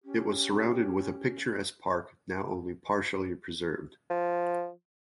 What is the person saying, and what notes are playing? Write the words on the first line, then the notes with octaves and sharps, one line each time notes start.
It was surrounded with a picturesque park, now only partially preserved.
C#4 G4
F3